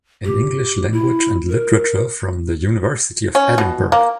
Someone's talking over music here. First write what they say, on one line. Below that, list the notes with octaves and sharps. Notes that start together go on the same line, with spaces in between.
In English Language and Literature from the University of Edinburgh.
G4
E4
A#4
C#4
B2
A#3